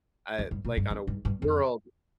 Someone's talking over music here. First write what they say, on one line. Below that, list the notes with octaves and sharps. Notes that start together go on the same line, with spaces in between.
Uh, like, on a w world
F2
G2
A#2
G2
F2
G2
G2
F2